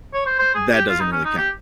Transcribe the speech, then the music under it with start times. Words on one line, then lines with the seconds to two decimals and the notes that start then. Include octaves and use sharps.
that doesn't really count.
0.14 C#5
0.26 C5
0.39 C5
0.55 G#4
0.72 G4
0.89 F4
1.00 D#4
1.12 C#4
1.25 D#4
1.38 G4